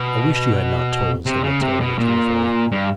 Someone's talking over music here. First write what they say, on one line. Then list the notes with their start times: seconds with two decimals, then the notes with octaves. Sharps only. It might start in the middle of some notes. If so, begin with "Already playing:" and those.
'I wish you had not told,' said Matilda tearfully.
Already playing: B2
1.26 C3
1.44 C#3
1.62 C3
1.80 B2
1.98 A#2
2.72 G2